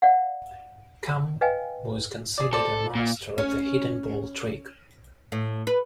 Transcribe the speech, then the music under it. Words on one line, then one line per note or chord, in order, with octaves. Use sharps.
Kamm was considered a master of the hidden ball trick.
D5 F5 F#5
B4 D#5 F5 G5 G#5
G#4 D5
C4 A4 D5
A#2
C#4
A2
B4